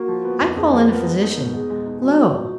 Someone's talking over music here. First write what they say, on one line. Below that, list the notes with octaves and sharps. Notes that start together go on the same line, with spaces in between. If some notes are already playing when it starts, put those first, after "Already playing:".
I call in a physician; lo!
Already playing: A#3 F#4
F3
B3
F2
F2 G#4
F3 G#4
B3 A#4
G#3 B4
D#4
A#4
B2
B2 G#4
G#3
D#4
G#3 F#4
D#4
F3